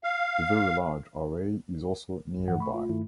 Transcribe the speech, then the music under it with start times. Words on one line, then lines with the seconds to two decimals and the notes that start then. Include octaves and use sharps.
The Very Large Array is also nearby.
0.04 F5
2.36 A1 F#2
2.47 G2 E3 F3 F#5
2.59 A3 B5 C#6
2.73 A3 F4
2.89 G2 D#3 A3 E4